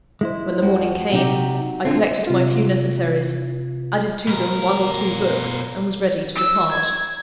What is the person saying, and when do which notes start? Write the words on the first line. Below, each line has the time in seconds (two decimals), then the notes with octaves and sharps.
When the morning came, I collected my few necessaries, added to them one or two books, and was ready to depart.
0.21 G#3 E4 C5
0.62 F2 F#4
1.12 C3 D#4 G4
1.85 D3 C4 F4 A4
2.27 C3 F4
4.27 B2 A#4
6.35 E6
6.71 G#6